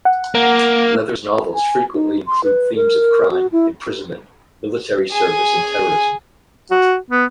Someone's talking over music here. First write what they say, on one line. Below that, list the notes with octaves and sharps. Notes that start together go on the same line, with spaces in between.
Leather's novels frequently include themes of crime, imprisonment, military service, and terrorism.
F#5
A#3
G#5
D#4
C6
B4
A#4
F#4
E4
G#4 G#5
F#4
B3